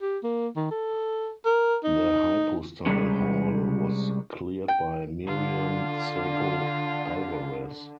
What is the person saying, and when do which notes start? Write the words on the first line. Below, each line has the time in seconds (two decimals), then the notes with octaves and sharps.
The Hypostyle Hall was cleared by Myriam Seco Alvarez.
0.01 G4
0.23 A#3
0.56 D#3
0.71 A4
1.45 A#4
1.84 D#4
2.86 C3 G3 G#3 C#4
4.68 G5
5.27 D3 F4